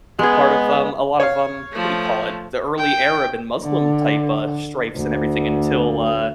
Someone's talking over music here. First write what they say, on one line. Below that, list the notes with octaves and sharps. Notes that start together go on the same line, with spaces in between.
part of um, a lot of, um, what do you call it? The early Arab and Muslim type, uh, stripes and everything until, uh
G#3 B3 G#4
C#5 F5
F3 A3
G5
D3
D2